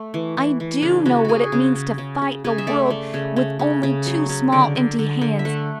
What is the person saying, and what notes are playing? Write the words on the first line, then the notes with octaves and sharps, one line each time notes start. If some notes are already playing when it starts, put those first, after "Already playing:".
I do know what it means to fight the world with only two small empty hands.
Already playing: A3
E3
E3
E3
C#3 D4
C#3 F#4
C#3 F#4 G#4
C#3
C#3
C#3
C#3
C#3 G#4
E5
A3 D5
A3
C#3
C#3
C#3
C#3
F#3
C#3
D3 D5
D3
D3
D3
E5
A3 F#5